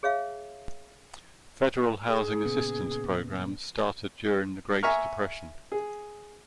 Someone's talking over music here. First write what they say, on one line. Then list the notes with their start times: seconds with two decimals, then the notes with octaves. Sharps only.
Federal housing assistance programs started during the Great Depression.
0.03 G#4 C#5 E5 F5
2.08 G#4
2.44 A#2 C#3 B3
4.83 E5 G#5 A#5 C#6 F6
5.72 G#4